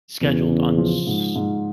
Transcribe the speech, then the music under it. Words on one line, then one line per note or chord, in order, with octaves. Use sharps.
scheduled on S
E2 C#3
C#3
F3
G#2
G#2